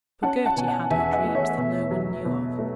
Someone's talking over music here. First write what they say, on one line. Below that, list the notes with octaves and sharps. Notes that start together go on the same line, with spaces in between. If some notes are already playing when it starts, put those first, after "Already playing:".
For Gerty had her dreams that no-one knew of.
C#4 F#5 A5
F#5 A5
B2 G#5
F#5 A5
E2 E5 G#5
D#5 F#5
A3
C#5 E5
B2
F#3
B2
A3